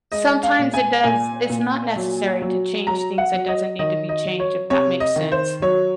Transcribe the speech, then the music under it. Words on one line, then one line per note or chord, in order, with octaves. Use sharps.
sometimes it does it's not necessary to change things that doesn't need to be changed, if that makes sense.
G#3 D#5
F5
A#2
G#5
A#2 G#5
A#2
F#3
F#3
F#3 A#5
F#5
F#3
D#5
D#3 D#5
D#5
F#3
C#5
C3 C#5
D#5
D#3
C5
F#3 C#5